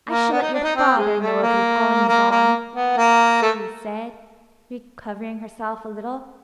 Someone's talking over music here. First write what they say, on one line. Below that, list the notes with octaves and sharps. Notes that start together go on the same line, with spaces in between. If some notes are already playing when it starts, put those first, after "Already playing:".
"I shall let your father know of your goings on," she said, recovering herself a little.
A#3
B3
D#4
D4
D#4
C4
G#3
A3
A#3
A#3
A#3
B3
A#3
A3